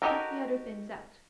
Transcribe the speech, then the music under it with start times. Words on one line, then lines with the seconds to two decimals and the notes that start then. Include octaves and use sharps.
Chuck the other things out.
0.02 D#4 F#4 G4 A4 A#4